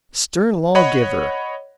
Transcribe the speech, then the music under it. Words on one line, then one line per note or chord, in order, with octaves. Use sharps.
Stern lawgiver!
C#5 D#5 F#5 B5